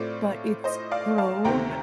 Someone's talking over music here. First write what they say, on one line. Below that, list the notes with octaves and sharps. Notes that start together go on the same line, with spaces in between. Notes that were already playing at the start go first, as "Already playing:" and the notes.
but it's grown,
Already playing: A2 A3 C4 F4 D5
C5 D#5
D5 F5
F5 A5
D2 C3 D#3 A3 C4 G5 A#5